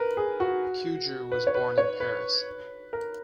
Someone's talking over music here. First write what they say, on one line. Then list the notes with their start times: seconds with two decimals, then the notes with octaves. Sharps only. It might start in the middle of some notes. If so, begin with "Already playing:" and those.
Queudrue was born in Paris.
Already playing: A#4 B4
0.17 G#4
0.40 F#4
1.32 B4
1.47 C#5
1.55 B4
1.78 C#5
2.00 B4
2.93 A#4